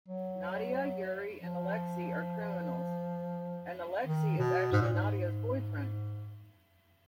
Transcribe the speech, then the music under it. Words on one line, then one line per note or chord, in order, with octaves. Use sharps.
Nadia, Yuri, and Alexei are criminals, and Alexei is actually Nadia's boyfriend.
F#3
F3
D#3
B2
G#2
A#2
G#2